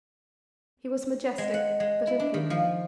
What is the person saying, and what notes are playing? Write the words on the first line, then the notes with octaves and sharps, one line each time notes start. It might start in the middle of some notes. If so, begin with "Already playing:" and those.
He was majestic, but inferior.
G#3
F#5
G#3
E4
D4
D#3
F3